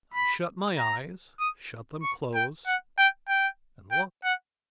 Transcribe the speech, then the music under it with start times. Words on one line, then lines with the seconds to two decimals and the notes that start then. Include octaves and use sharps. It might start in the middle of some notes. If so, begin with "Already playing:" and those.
I shut my eyes--shut them close--and lo!
0.14 B5
0.77 A#5
1.40 D#6
2.03 C#6
2.35 G5
2.66 F#5
2.98 G5
3.28 G5
3.91 G5
4.24 F#5